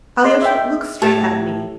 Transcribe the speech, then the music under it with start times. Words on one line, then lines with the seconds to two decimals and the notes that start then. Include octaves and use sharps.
Alyosha, look straight at me!
0.24 G#4 D#5 C6
0.42 E5 G5
1.02 A2 G4 A5